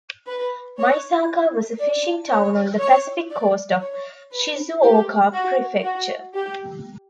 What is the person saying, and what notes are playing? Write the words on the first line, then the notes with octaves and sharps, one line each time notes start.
Maisaka was a fishing town on the Pacific coast of Shizuoka Prefecture.
B4
C#5
D5
C#5
C#5
D5
C#5
B4
G4
F#4
F#4
G4